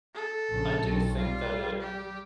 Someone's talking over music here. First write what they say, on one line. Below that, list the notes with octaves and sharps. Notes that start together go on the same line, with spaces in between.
I do think that it
A4
A#1 C#3
B1 F#3
G3 F4
G4